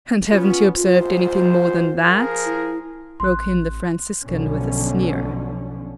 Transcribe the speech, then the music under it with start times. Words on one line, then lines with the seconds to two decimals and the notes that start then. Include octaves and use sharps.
"And haven't you observed anything more than that?" broke in the Franciscan with a sneer.
0.31 B3 C#4 F4
0.77 C2 G#2 F4 C5
2.04 F3 G#4 A#4
2.45 E4
3.20 A1 C6 F#6
4.24 B1 B2 D3 F3 C#4